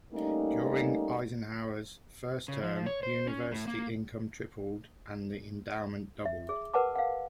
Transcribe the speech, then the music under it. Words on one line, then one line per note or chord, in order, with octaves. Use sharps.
During Eisenhower's first term, University income tripled and the endowment doubled.
G3 A3 A#3 C#4 D#4
C#3
F3
C#5
C5
C#4
A2
A#3
E5
G#4
A#4 B4 F#5 A5 D6
F5 F#5